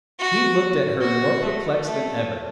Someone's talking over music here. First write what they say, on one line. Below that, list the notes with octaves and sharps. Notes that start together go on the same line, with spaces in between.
He looked at her more perplexed than ever.
F#4
F#4
A3
A3